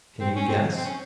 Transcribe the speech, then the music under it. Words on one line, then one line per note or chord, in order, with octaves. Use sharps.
Can you guess?
C4
C#4
C4
C4
C#4